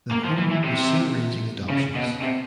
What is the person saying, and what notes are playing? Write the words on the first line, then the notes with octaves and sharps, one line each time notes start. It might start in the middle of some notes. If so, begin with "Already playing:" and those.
The home was soon arranging adoptions.
A#3
F3
E3
E3
C3
C#3
B2
C3